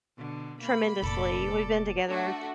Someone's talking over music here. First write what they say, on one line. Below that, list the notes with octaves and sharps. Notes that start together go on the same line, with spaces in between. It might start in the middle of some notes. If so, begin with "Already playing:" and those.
tremendously, we've been together
B2 D3
A#3 B5
F1 A#2 A4 D5
A3 D4 F#4